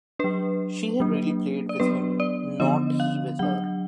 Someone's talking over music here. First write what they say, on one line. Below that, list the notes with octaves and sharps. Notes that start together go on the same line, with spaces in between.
She had really played with him, not he with her.
F#3 D4 B4
F#3 A#3 D4
D5
F#3 B3 D4 B4
D5
D3 F3 B3 D4 D#5
F5
F#3 D4 F#5